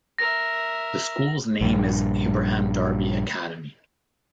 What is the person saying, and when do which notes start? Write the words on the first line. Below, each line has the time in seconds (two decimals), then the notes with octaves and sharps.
The school's name is Abraham Darby Academy.
0.19 A#4 E5 A#6
1.61 A#1 G2